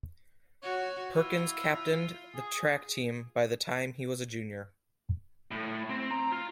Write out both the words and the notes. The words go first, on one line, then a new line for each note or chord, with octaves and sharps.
Perkins captained the track team by the time he was a junior.
F#4 C#5
E4 F4
G#4
A2
C4
A#5
F4